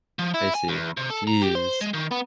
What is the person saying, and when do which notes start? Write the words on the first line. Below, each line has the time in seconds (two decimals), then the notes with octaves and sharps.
I see. Jeez.
0.19 F3
0.34 E4
0.55 G#5
0.68 E2
0.97 C3
1.10 A4
1.27 A#5
1.42 G4
1.55 C5
1.81 G#3
1.94 D#3
2.11 B3